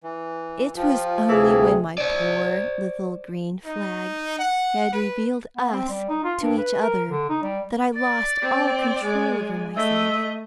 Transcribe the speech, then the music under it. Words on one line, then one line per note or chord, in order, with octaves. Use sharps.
It was only when my poor little green flag had revealed us to each other that I lost all control over myself.
E3
F3 F4 G4
D2 C3 E3 G#4
C5 D5
D#4
F#5
B4
B3
C4
G3
D#4
F4
G2
B4
A#4
D3
D#4
G3
D5 A6
C4
G#3 G#5
A3 D#5 E5 E6